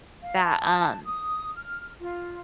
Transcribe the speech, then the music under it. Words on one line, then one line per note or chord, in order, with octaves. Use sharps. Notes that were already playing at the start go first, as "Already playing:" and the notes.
that, um
F5
A5
D#6
F6
F4